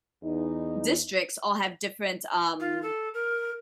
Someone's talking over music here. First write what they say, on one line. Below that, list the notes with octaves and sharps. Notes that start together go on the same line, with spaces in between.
districts all have different, um
E2 D#4
F4
A4
A#4